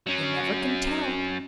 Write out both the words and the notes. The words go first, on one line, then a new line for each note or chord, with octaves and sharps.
You never can tell.
F#3 C#4